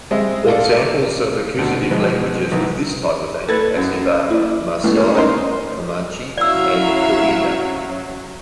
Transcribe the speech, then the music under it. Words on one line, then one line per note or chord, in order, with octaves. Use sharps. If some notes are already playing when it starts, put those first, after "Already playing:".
Examples of accusative languages with this type of antipassive are Maasai, Comanche and Cahuilla.
G3 G#3 C4 D#5 E5
F4 A4 D5
D2 B2
B2 E3 F3 G#3
B1 E3
A4 B4 G#6 A6
F#2
E4 D5
C#2 E3 A3 B3
C#4 D#4 A#4 C5
F#3 C#4 E4 D5 E5 F5 E6